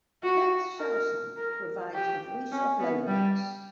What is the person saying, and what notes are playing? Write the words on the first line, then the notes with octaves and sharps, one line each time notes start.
Kath Soucie provides the voice of Lomax.
F#4
A#4
A#4
G4
C#4
B3
G3